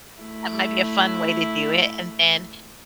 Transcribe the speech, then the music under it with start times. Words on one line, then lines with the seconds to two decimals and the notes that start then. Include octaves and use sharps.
that might be a fun way to do it. And then,
0.20 A3 E4